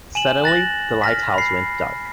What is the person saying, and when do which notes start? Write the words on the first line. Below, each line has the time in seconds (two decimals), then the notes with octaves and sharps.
Suddenly, the lighthouse went dark.
0.15 G#5 E7 F#7
0.44 F#6 A6 A#6 F#7
1.02 F6 A#6 B6
1.34 B5 C7